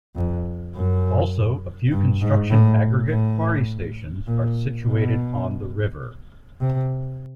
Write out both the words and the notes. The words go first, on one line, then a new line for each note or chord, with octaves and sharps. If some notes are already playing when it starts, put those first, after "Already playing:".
Also a few construction aggregate quarries stations are situated on the river.
F2
F#2
G2
G#2
A2
A2
A#2
B2
C3